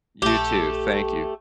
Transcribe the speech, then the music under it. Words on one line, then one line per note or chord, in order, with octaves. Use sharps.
You too, thank you.
A#1 A3 G4